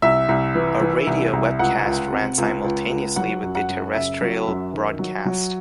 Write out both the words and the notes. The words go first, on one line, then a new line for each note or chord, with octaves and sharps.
A radio webcast ran simultaneously with the terrestrial broadcast.
C2 E5
C2
E3
E3
C2
C2
C#2 F#5
C#2
C3
C#2
C#2
C#2
F#3 F#5
F#2
F#5
F#2
C#3 E5
F#3
F#2
D#3
F#3
F#3